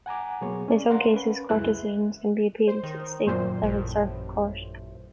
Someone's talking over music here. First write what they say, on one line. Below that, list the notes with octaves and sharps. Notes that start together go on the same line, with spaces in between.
In some cases, court decisions can be appealed to the state level circuit court.
F#5 G#5 A#5 D6
B2 F#3 A#3 B3 G#4 C#5
C#4 D5
A#4 F5 F#5 C6
C#4 B4
C#2 F#2 G#3 E4 F#6
C5
D#3
F#2 A#2 C5
A1